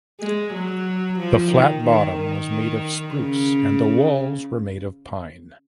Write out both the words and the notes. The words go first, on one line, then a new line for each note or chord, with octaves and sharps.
The flat bottom was made of spruce and the walls were made of pine.
G#3
F#3
F3
D#3
D#3
D#3
C#3